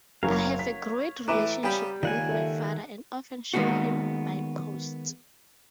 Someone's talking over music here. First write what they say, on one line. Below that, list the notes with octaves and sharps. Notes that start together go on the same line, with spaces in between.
I have a great relationship with my father and often show him my posts.
F#1 F#3 A#4 C#5 F5
B6
A2 E3 A3 B4 A#5 D6 E7
C#3 G3 B3 G4 G5 B5
C#2 A#2 D#3 F#5 G#5
A4 E5
D#3 G#3 A#3 B3 F#4